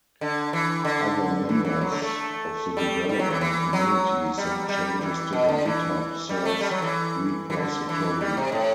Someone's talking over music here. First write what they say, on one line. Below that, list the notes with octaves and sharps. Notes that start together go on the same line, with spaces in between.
Other members of the development community send changes to the GitHub source repository.
D3
E3
D3
E3
E3
F#3
D3
A3
G3
G3
F#3
E3
E3
F#3
G3
G3
E3
B2
D3
E3
G3
A3
G3
F#3
E3
E3
D3
E3
G3
C3
A2